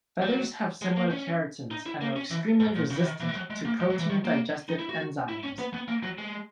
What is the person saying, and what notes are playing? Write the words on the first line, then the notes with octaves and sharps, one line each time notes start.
Feathers have similar keratins and are extremely resistant to protein digestive enzymes.
F#3
G#3
A#3
C#4
D#4
E4
A#3
C#4
E3
G#2
A#2
C#3
E3
D#3
E3
G#3
F#3
G#3
A#3
G#3
F#3
E3
D#3
A#3
D#4
E4
F#4
E4
C#4
B3
B3
A#3
F#3
G#3